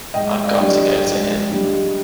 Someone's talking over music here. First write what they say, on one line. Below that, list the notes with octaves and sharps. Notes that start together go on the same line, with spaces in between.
I've got to go to him.
G#2 D#5 G5
D5 F5
G3 D4
D5
D#5
G#2
G3 D4